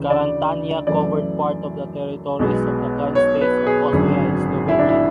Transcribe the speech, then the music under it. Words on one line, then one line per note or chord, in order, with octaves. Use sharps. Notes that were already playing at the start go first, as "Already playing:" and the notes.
Carantania covered part of the territories of the current states of Austria and Slovenia.
Already playing: D2 C#3 E3
D5
F#2 E3 A3 D5
B1 B2 G#3 B3
C#5
B4
G#4
G#1 F#2 D3
E4
D4
E4